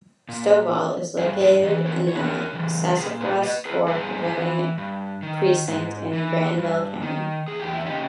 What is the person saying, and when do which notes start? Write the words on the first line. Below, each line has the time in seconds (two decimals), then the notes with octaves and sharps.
Stovall is located in the Sassafras Fork voting precinct in Granville County.
0.29 A#2
1.18 G2 E4 G#4
1.40 G4 A#4
1.63 E3 B4 D#5
1.86 A#4 C#5
2.08 E2 C#5
2.15 B4
2.23 A#4 C#5
2.53 C#3 E3
2.98 A#2 G#4 B4
3.21 G#4 B4
3.43 B4 D#5
3.65 G#4 B4
3.87 G2 E4 G#4
4.33 E3
4.78 G2
5.22 D#3
5.67 G#2
6.13 E3
6.58 G2
7.02 D#3
7.48 E2 G#4
7.60 G4
7.73 E4
7.86 D#4 G4
7.92 C#3